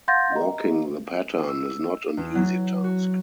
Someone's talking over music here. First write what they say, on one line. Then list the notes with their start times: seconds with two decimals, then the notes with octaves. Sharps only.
Walking the Pattern is not an easy task.
0.08 F5 F#5 C6 G6 A6 A#6
0.32 D#5 A#5
1.49 E6
2.17 E2
2.35 F#3
2.84 F#4